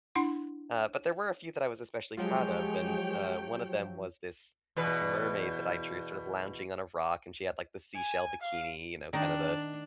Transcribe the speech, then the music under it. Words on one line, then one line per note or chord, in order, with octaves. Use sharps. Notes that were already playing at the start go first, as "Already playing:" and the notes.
Uh, but there were a few that I was especially proud of, and, uh, one of them was this this mermaid that I drew sort of lounging on a rock, and she had, like, the seashell bikini, you know, kind of the,
D4 E4 F#5 C6
F3 F#3 G#3 G4 C#5 G5
E2 B2 B4
G#5
F5
D#3 D4 D#4